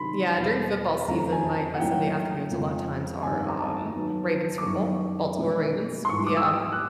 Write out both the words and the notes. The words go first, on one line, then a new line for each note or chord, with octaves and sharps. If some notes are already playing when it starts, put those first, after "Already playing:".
Yeah, during football season, my my Sunday afternoons a lot of times are um, Ravens football, Baltimore Ravens, yeah,
Already playing: C3 D#3 F#3 B3 D4 B5 C6
E2 B2 G3
F2 D3 F3 A3 C#4 A#5
G#5
A5
F#5
A2 F#3 A#3 C#4 E4 G5
F2 C#3 F3 G#3
G2 D#3 G3 C4 G#5
A#5
A5
D#3 F#3 B3 D#4
D6
F#2 D#3 F#3 B3 E4 C#6
B2 G#3 C#4 E4
C6
G#2 E3 G3 C#6
D6
E6
D#6
F#6